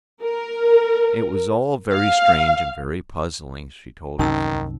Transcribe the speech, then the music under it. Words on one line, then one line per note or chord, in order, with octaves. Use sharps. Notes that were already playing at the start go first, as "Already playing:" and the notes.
It was all very strange and very puzzling, she told herself.
A#4
F5
C2 F#2 C3 D#3 C#4 D#4 E6